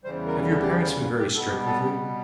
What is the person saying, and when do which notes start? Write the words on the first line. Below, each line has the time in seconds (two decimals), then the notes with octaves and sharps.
"Have your parents been very strict with you?"
0.04 E2 C#3 E3 G3 C5
0.26 A#4
0.48 A4
0.60 G4
0.70 F#4
0.86 F4
1.02 F4
1.19 G4
1.34 B2 G3 B3 A4
1.50 G4
1.66 A4
1.84 G4